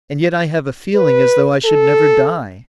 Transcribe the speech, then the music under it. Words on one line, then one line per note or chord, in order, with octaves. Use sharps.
And yet I have a feeling as though I should never die.
B4
A4